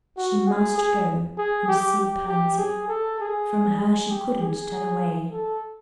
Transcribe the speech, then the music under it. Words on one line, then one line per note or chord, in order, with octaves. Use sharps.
She must go and see Pansy; from her she couldn't turn away.
F#4
G#4
G#4
G#4
G4
G4
G4
G#4
A4
G#4
G#4
G4
G#4
A4